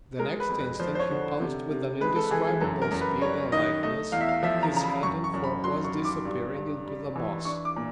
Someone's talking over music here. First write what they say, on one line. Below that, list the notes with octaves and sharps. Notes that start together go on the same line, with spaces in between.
The next instant he pounced with an indescribable speed and lightness, his head and forepaws disappearing into the moss.
G#3 A#4
B4
F2
B4
F3 C5
C5
C#5
D3
C3
C3
G#3 B4
A4
E3 G#4
G#4
F#2 A4
A#4
F#2
B4
G3 C#5
D#3 D#5
A3 D#5
E2 F5
E5
F5
F3 E5
A#5
C#3 A#5
B5
F#2 C#6
C#6
F#2
B5
F#3 C6
C#6
D#3
D6
G2
G2
G3
E3
D4 C#6
D6
A#2